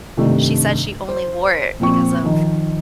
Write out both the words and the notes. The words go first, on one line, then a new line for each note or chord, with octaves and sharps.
she said she only wore it because of, eh
G2 C3 D#3 A3 D4
C5
A#2 F3 C4 C#6
D#3 F3